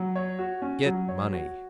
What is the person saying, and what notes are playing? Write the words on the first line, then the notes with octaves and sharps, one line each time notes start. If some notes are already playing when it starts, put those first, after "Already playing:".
Get money!
Already playing: F#3
C#5
F#4
C#4
F#3
C#5
F#4